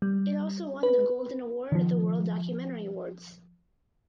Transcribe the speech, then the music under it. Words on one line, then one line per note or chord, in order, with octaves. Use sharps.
It also won the Golden Award at the World Documentary Awards.
G3
B4
D#3 F3